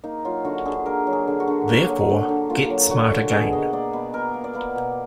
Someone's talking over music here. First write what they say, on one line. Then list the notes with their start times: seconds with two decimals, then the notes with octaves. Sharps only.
Therefore, Get Smart Again!
0.04 A#3 D#4
0.25 F#3 F4
0.45 D3 F#4
0.65 D3 G#4
0.86 A#3 A#4
1.07 F#3
1.13 G#4
1.27 D3
1.40 F#4
1.47 D3
1.68 A#3
1.89 F#3
2.09 D3
2.29 D3
2.50 A#3 F4
2.70 F#3
2.90 D3 F#4
3.11 D3
3.32 B2 G#4
3.53 A#3 D#5
3.73 A#3 D5
3.93 B2 B4
4.13 B2 A#4
4.34 A#3
4.44 D5
4.54 A#3 B4
4.75 B2